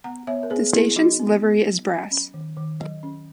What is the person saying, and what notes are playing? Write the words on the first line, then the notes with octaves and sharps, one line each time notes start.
The station's livery is brass.
B3 F#5 A#5
B3 C#5 E5
A#4
B3 G#4 B4
B3 E4 G#4
F#3 D#4 F#4
B3
B3
F#3
F#3
C#4
D#3
D#3
F#3
C#4